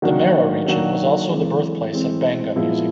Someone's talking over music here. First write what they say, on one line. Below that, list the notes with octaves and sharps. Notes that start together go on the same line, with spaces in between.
The Mara Region was also the birthplace of Benga music.
D#3 F#3 A#3 D4 F#4
D#3 F#3 A#3 D4 F#4
E3 G#3 C4
E3 G#3 C4
A#2 F3 G#3 B3 E4